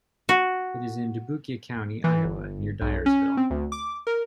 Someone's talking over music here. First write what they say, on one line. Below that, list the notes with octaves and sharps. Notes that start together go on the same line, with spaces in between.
It is in Dubuque County, Iowa, near Dyersville.
F#4
E3
G1
B1
C#4
C4
D2
D6
A#4